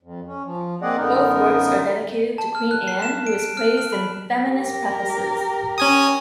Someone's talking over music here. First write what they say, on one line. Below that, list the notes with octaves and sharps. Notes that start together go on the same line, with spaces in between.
Both works are dedicated to Queen Anne, who is praised in feminist prefaces.
F2
C#4
F3
A#3 C4 G#4 D5 D#5 F#5
F#2 D3 B3 D#4 A#4
A5
F6
F#6
C7
E7
D7
D7
F6
F6
B5
G4 A#4
C#4 G#5 D#6